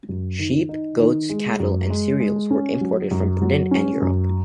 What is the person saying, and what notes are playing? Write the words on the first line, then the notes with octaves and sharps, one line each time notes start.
Sheep, goats, cattle and cereals were imported from Britain and Europe.
F#2
D#3
D#4
D#3
G#3
F#2
G#3
G#3
C#4
F#3
F#2
F#3
C#4
F#2